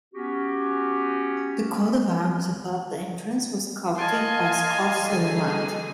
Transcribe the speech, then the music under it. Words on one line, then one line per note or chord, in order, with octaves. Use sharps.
The coat of arms above the entrance was sculpted by Scott Sutherland.
B3 C#4 F#4 G4
D#5 F5 G#5 A5 C6
D3 G3 D#4 F#4 G#4 A4